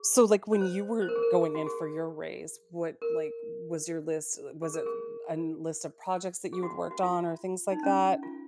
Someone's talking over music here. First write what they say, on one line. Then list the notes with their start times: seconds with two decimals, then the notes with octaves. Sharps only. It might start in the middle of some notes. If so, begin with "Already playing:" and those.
So, like, when you were going in for your raise, what, like, was your list, uh was it an list of projects that you had worked on, or things like that?
Already playing: G#4
0.52 C#5
0.61 C5
1.02 C5
1.09 A#4
1.16 G#4
1.23 A#4
1.41 G#4
1.55 F#4
1.67 G#4
3.02 A#4
4.62 G#4
4.74 A#4
4.86 G#4
6.53 G#4
6.63 F#4
6.91 F#4
7.03 F4
7.71 D#4
7.83 C#4
8.23 F4